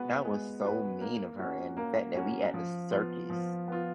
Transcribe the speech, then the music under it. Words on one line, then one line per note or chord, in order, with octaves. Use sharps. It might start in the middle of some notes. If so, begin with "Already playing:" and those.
That was so mean of her, and the fact that we at the circus,
Already playing: G#3 B3 F#4 B4
G#3
B3 F#4 B4
A#3
C#4 F#4
A#3
C#4 F#4
F3
B3 F4
F3
B3 F4